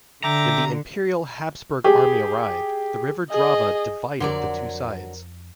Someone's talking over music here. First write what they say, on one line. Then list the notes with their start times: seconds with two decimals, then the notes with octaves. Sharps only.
When the Imperial Habsburg army arrived, the River Drava divided the two sides.
0.24 D3 E5 G5 A#5 D6
1.84 G4 G#4
3.31 G#4 D#5
4.20 F2 D3 F#3 A#4 C5 D5